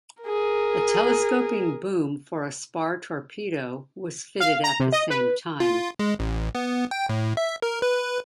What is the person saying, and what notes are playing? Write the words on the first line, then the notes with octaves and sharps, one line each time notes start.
A telescoping boom for a spar torpedo was fitted at the same time.
G#4 A#4
F5
A#5
C3
D#5
B4
F4
G#3
A1
B3
G5
A2
E5
A#4
B4